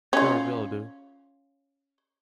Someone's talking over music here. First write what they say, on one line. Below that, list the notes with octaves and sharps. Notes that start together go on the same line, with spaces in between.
Sure, we all do!
C#4 F4